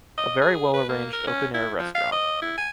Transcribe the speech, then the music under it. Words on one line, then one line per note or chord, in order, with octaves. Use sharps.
A very well arranged open air restaurant.
D#5
G#4
B4
A#3
A#4
C#4
E4
F3
F5
D#5
E4
G#5